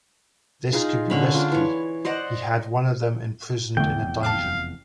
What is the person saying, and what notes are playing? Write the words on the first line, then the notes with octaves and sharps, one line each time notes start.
This could be risky; he had one of them imprisoned in a dungeon.
D#4 F4 G#4
D3 C#4 B5
D4 F4
E3 C#5
C5 D5 D#5 F#5
F1 E2 D3 A3 G5
F5 A5 D6 F#6